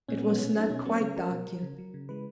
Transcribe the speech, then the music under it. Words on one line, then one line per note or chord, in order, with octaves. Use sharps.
It was not quite dark yet.
A#2 C#4
B3
G#3
B3
B2 C#4
F#3 C#4
D#4
B2 C#4
F#3 B3
C#3 C#4
F#3 A#4
B2
F#3
C#3
F#3
C#3
E3 G#3 B4